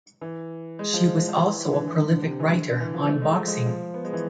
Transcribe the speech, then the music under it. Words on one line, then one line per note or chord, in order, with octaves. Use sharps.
She was also a prolific writer on boxing.
E3
G#3
F3
F3
E3
D3
E3
D3
E3
D3
C3
E3
D3
D3
E3
F3
A3
G#3
F3
G#3
F3
B3
G#3
E3